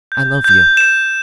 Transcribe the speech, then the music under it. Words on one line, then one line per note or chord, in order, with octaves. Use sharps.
"I love you!"
G6
G6
G6 E7